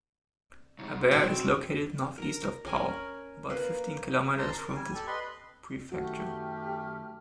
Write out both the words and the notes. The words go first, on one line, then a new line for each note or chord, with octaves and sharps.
Abère is located northeast of Pau, about fifteen kilometers from this prefecture.
C2 G#2
B2 C4
A#4 A#5
C#4 A#4 G#5 B5
A#3 B4
A5 A#5 C6
A#4
G3 G#5
G4 A4 D5
B4 D#5 B5 C6
F#2 D#3 A3 F#4 G4 F6